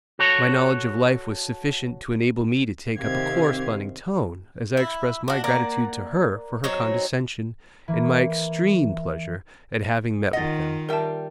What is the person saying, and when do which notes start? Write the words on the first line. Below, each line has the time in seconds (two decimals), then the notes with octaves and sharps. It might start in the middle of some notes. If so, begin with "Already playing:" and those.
My knowledge of life was sufficient to enable me to take up a corresponding tone as I expressed my gratitude to her for her condescension, and my extreme pleasure at having met with them.
0.19 F#4 A4 C#5
2.99 C3 D#3 C4 G4 F5 G#6
4.77 E4
5.28 D4 F#4
5.44 A#3 D5 F#5 A#5
6.64 F#3 C4 D#4 C#5
7.88 E3 A#3
10.33 D#3 F4 D#5 F#5 A6
10.89 G3 A#4 E5 G5 A5